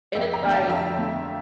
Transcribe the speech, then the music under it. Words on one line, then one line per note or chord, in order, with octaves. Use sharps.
and it's, like,
F2 E5 G5
G5 A#5
D3 A3
F5 A5
A5
F2 E5 G5
D3 A3